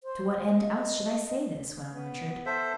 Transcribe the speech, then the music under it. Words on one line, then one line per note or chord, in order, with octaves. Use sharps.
"To what end, else, should I say this?" went on Richard.
C5
D#5
B3
A4 C5 E5